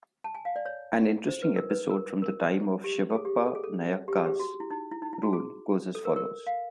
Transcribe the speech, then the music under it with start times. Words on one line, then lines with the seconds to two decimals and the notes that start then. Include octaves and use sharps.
An interesting episode from the time of Shivappa Nayaka's rule goes as follows.
0.24 A5
0.35 G#5
0.45 F5
0.56 D5
0.66 C#5
1.29 C5
1.42 B4
1.56 A#4
1.70 B4
1.90 A#4
2.22 A#4
2.84 G4
3.10 A4
3.15 G#4
3.25 G4
3.36 G#4
3.47 A4
3.55 G#4
3.64 A4
4.08 G4
4.17 G#4
4.26 G4
4.39 F#4
4.60 E4
4.71 D#4
4.91 E4
5.02 D#4
5.13 E4
5.23 F#4
5.33 G#4
5.95 A4
6.05 A#4
6.16 A#4
6.47 F5